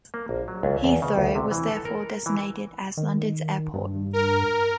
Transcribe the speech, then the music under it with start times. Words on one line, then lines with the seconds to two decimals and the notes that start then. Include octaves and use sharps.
Heathrow was therefore designated as London's airport.
0.14 A#3
0.29 A#1
0.48 F#3
0.63 C#2
0.84 E2
1.02 C#3
1.18 D2
1.35 C3
1.51 E3
1.71 A4
1.85 A#4
2.26 E3
2.97 D#3
3.74 G2
4.13 A#4